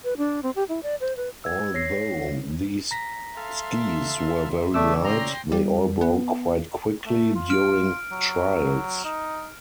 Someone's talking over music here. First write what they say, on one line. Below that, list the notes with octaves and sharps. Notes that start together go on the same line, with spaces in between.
Although these skis were very light, they all broke quite quickly during trials.
B4
D4
C4
G4
E4
D5
C5
B4
E6 G#6
C#5 A#6 C7
A#5 A#6 B6
A4 E5 F5 C6
C#3 A3 D5 D6 E6
G5 A#5 C6 A#6
G3
B3
A3
F4
F6 D7
F#3
D#4